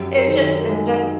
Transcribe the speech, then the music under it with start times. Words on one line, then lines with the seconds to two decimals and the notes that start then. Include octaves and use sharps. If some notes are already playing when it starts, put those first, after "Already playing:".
it's just it's just
Already playing: F#2 G4
0.16 A#4
0.27 D#3 A4
0.58 A#4
0.69 G#3 A4
1.02 G#4